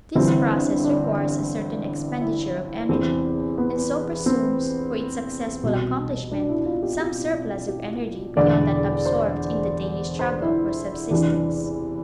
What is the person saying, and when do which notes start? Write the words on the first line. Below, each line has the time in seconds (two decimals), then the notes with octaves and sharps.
This process requires a certain expenditure of energy, and so presumes, for its successful accomplishment, some surplus of energy beyond that absorbed in the daily struggle for subsistence.
0.16 G1 G2 E3 C4
0.84 D4
2.21 E4
2.89 E2 C3 E3 C4
3.58 B3
4.26 C4
5.63 C2 B2
6.32 D4
6.49 E4
6.66 F4
6.83 G4
7.00 G4
7.68 G4
8.37 E1 E2 D3 D5
9.05 C5
10.19 C5
10.42 E4
11.10 E2 C3 E3 D4